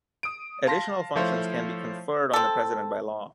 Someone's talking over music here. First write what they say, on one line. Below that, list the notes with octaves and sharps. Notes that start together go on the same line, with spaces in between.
Additional functions can be conferred on the President by law.
D#6 D7
F5 A5 C6 A#6 B6
F3 A3 E4 C5 C#5 F5
C4 A4